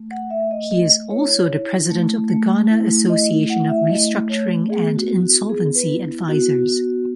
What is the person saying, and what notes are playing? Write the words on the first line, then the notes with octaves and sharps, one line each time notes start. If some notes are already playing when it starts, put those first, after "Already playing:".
He is also the President of the Ghana Association of Restructuring and Insolvency Advisors.
Already playing: A3
F#5
A3 E5
D#5
A3 D#5
E4 C#5
E4
A3
A3
E4
A3 D#5
E4 F#5
E5
A3 D#5
A3 C#5
B3 G#4
F#4
E4
F#4
B3 G#4
B4
E4
B3 F#4
F#4